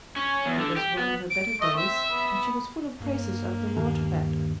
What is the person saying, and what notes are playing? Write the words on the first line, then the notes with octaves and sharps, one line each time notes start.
It was one of her better days, and she was full of praises of the water-bed.
C#4
E2
D3
G4
B3
D7
A3 D#5
C4 E5
B3
G2 A#3
D#2